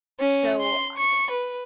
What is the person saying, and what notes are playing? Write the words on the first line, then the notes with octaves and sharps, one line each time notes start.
so, uh,
C#4
C6
C#6
B4